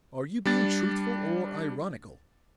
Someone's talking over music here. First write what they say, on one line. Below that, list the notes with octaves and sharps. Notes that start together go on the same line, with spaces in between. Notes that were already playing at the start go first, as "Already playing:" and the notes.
Are you being truthful or ironical?
G3 D4 A6